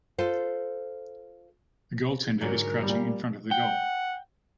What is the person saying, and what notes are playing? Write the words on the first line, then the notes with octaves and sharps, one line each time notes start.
The goaltender is crouching in front of the goal.
F4 A4 C5
G#2 D3 F#3 A#4
A#2 G3
F#5 G5